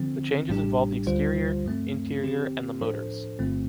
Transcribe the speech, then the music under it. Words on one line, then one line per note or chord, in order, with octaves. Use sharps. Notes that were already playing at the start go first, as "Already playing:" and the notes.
The changes involve the exterior, interior and the motors.
Already playing: D3 F3 C4
A1 A2 G3 D4 G4
D2 D3 G3 F4 C5
G2 F3 A3 C4
D3 F3 C4 G4
A2 F3 D4 A4 C5
G1 G2 D3 A3 C4